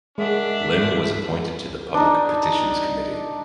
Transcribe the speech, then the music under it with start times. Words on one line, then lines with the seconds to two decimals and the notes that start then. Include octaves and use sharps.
Lim was appointed to the Public Petitions Committee.
0.18 G#3 D4 G#4 A#4 E5 F#5
1.94 D4 D#4